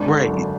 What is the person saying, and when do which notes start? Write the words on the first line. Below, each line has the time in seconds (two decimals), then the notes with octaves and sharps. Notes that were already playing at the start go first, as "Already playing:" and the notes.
Right, y
Already playing: G#1 D4
0.08 D3
0.27 F#2